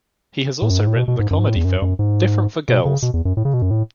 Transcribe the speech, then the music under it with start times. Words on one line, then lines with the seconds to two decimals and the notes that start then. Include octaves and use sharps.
He has also written the comedy film "Different for Girls".
0.62 A2
0.70 F#2
0.79 G#2
0.87 A2
0.96 B2
1.08 B2
1.19 G#2
1.30 F#2
1.39 G#2
1.48 A2
1.56 E2
1.65 F#2
1.82 F#2
1.99 G#2
2.68 B2
2.85 C#3
3.02 B2
3.14 E2
3.25 F#2
3.37 A2
3.45 C#3
3.54 B2
3.62 F#2
3.71 A2